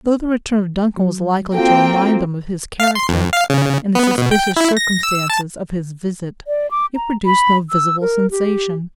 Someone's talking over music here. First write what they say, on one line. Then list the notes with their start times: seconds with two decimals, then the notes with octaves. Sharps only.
Though the return of Duncan was likely to remind them of his character, and the suspicious circumstances of his visit, it produced no visible sensation.
0.97 F#3
1.54 A#3 C4 F4 F#4 A4 G5
2.80 F5
2.95 C6
3.09 F2
3.33 F5
3.50 C#3
3.95 B3
4.18 B2
4.31 G5
4.57 E4
4.77 A#6
5.03 E6
5.30 A5
6.47 D5
6.71 D6
6.96 A#5
7.26 B5
7.70 E6
8.01 A#4
8.31 G4